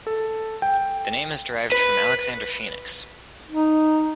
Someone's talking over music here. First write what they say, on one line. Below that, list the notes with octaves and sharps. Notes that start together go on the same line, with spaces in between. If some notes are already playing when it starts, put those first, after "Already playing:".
The name is derived from Alexander Phoenix.
A4
G5
B4
D#4